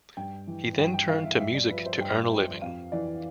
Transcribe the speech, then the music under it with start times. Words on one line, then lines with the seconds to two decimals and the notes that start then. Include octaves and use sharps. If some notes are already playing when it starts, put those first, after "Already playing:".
He then turned to music to earn a living.
0.17 G2 G5
0.47 E3
0.78 G2 G5
0.94 G5
1.09 E3 F5
1.24 E5
1.39 G2 E5
1.54 D5
1.70 F3 B4
1.86 C5
2.00 G2 G5
2.31 F3 G5
2.62 F2 F5
2.92 E3 D5